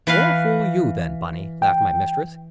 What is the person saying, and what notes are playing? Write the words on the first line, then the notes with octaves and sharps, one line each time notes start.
"More fool you, then, Bunny," laughed my mistress.
E3 B4 F5
G5